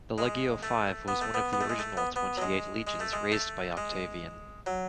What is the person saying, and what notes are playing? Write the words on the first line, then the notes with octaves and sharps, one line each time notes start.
The Legio Five was one of the original twenty-eight legions raised by Octavian.
G#3
A3
B3
A3
B3
B3
A3
G#3
A3
B3
B3
F#3
G#3
G#3
A3
G#3
A3
G#3
F#3